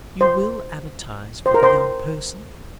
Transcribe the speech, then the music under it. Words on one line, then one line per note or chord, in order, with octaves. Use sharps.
"You will advertise for the 'young person'?"
C5
C5
A#4
C5